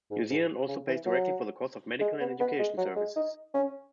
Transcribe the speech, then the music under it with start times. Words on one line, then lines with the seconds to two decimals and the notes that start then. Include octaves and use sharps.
New Zealand also pays directly for the cost of medical and education services.
0.11 G#2
0.30 G#2
0.68 C#3
0.87 E3
1.06 F#3
2.01 G#3
2.21 B3
2.40 B3
2.59 G#3
2.77 F#3
2.96 G#3
3.16 D#4
3.54 C#4